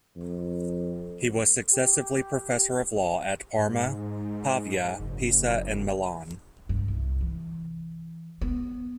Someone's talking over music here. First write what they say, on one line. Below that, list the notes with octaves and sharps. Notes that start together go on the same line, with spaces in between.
He was successively professor of law at Parma, Pavia, Pisa and Milan.
F2
G4
G#2
F#1
G2
C2
E3
B3